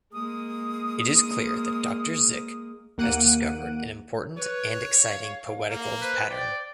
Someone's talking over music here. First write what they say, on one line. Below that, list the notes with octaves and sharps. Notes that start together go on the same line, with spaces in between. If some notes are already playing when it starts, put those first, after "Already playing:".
It is clear that Doctor Zik has discovered an important and exciting poetical pattern.
G#3 A#3 D#6
D#2 A#3 F#5 F#6 D7 D#7
B4 C#5
F5
A#3
B4 C5
D5 G5